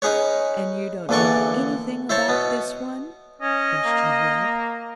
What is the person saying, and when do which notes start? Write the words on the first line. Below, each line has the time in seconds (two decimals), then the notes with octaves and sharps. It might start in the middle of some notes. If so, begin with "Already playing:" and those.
"And you don't know anything about this one?" questioned Rob.
0.02 C#4 D#4 G#4 B4 C#5
1.09 A#1 E2 D3 E3 D5 C#6
2.09 E4 C5 C#5 A5
2.28 B2 B3
3.41 C#4 D#5
3.85 A#3